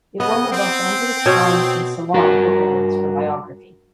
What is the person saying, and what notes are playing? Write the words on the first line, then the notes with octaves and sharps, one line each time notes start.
It won the "Los Angeles Times" and "Salon" Book Awards for Biography.
C#3 B3 D#5
C4
B2 C#5
G2 F#4 A#4